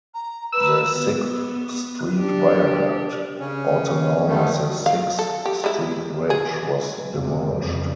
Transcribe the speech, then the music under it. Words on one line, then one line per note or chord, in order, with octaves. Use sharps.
The Sixth Street Viaduct, also known as the Sixth Street Bridge was demolished.
A#5
B4 E6
B3
D4 G4
C#3 C#4
D3 D#3 G3 A3
F5
A4
G4
G3 G#3 E4
G#4
E2 C3 G#3
F2 C#3 G3